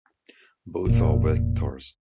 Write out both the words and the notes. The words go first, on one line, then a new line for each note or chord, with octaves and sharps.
Both are vectors.
F1 A#2